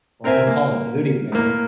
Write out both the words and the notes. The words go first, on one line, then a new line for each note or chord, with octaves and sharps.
or or Call of Duty, man.
C4 A#4 C5 E5 G#5
A#3
A2 A#3